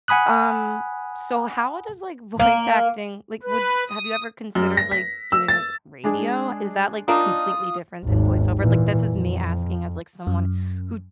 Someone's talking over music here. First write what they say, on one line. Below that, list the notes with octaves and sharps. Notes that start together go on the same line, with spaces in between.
um so how does, like, voice acting like, would have you ever considered, like, doing, like, radio? Is that, like, completely different than voice-over? Like, this is me asking as, like, someone who
F#5 G#5 B5 D#6 F#6
A#3
B4
D#6
F#2
A#6
B6
E6
A6
G#3 D4 G#4
A#3 D4 D#4 F4 D#6
G#1 D#2
A#2 E3
F2
F#2